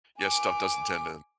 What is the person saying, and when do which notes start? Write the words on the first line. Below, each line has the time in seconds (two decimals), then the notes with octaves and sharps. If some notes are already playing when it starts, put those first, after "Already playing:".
yeah, stuff doesn't tend to
0.19 G#5 D6